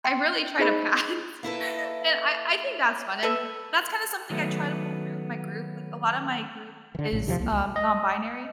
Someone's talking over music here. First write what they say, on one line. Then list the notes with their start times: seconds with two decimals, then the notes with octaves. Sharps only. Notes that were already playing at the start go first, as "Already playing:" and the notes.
I really try to pass. And I I think that's fun, and that's kind of something I try to pull through with my group, like, a lotta my group is, um, non binary.
0.04 G5 C6
0.59 D#4 G#4 C5 D#5 B5 E6
1.43 A#3 E4 A4 B4
3.23 A4 B4 E5
4.30 D#3 F#3 A3 B3
6.95 D3 E3
7.12 A#1 A2 C#3
7.27 D#2 C3 D#3 F3
7.40 C2 A#3
7.52 C#2
7.76 D#5